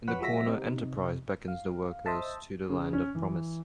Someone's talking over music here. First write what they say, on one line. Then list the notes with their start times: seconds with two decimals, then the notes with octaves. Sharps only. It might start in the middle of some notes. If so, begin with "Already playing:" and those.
In the corner "Enterprise" beckons the workers to the Land of Promise.
0.08 F2 F#3 F#4 B4 F#5 B6
0.20 F3 G#3 F#4 E5 A#6 B6
0.48 C3 D#4
1.48 F5
2.06 C5 D#5 E5 A5
2.69 C#3
2.93 C#4
3.15 E3